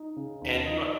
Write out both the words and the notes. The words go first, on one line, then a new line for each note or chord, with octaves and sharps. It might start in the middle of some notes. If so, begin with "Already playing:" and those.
And, you know what?
Already playing: D#4
C#3
D#2
D#4 D#5